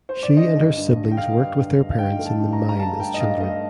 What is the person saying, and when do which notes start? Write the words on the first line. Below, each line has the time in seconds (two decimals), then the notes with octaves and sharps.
She and her siblings worked with their parents in the mine as children.
0.09 C5
0.23 D5
0.36 D3 D#5
0.56 G2
0.77 G2
0.97 G2
1.11 G5
1.17 D3 F5
1.38 G2
1.58 D3
1.78 G2
1.90 F5
1.98 G2 G5
2.19 A3
2.25 A5
2.39 G2
2.53 A#5
2.59 G2
2.69 A#5
2.79 G2 A5
3.00 A3 G5
3.14 D#5
3.20 G2 F5
3.40 A3 D#5